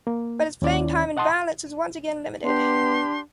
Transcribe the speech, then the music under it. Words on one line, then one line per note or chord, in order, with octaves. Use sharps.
But his playing time in Valence is once again limited.
A#3
D#2 D#3 C#4 E4 D5
D#5 F#5 A5 C6 D#6
B3 D4 G4 C6